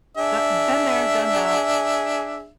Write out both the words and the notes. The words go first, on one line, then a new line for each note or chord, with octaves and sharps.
Do been there, done that,
D4 G#4 E5